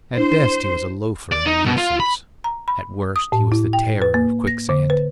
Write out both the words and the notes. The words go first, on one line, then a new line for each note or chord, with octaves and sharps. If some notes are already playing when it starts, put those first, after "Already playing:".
At best he was a loafer and a nuisance; at worst he was the Terror of Quicksand.
D4 E4 C5
D5
D#4
B2
F4
B5
A#5
B5
D#6
A2
E4
G5
B4
A#3
A#6
D3
B4